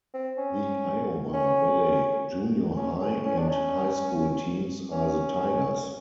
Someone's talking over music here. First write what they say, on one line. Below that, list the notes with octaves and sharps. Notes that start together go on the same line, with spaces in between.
The Iowa Valley Junior High and High School teams are the Tigers.
C4
C#4
C#4
C#4
C#4
C#4
D4
C#4
C#4